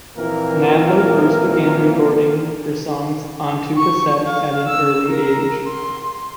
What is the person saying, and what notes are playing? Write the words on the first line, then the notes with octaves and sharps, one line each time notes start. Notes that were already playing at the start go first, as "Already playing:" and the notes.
Nadler first began recording her songs onto cassette at an early age.
A#2 E3 F3 A#3 C4 A#4
C#6
F5
E6
A#4
C6